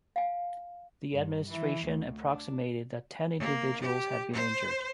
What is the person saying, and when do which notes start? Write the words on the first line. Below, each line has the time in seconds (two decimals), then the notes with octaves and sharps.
The administration approximated that ten individuals had been injured.
0.16 F5 G#5
1.12 G2
1.48 E3
1.85 D2
2.26 D4
3.39 A#3
3.81 G4
4.33 C5